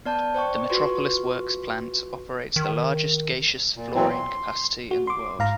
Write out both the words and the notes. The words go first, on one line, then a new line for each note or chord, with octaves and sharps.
The Metropolis Works Plant operates the largest gaseous fluorine capacity in the world.
B3 D5 A5 G6
C5 D5 G5 C#6
F4 F#4 B4 C6 C#6
D#3
A#2
A#2 E3 F#3 C4
C6
F#4
C6 D6
G#2 F5 A#5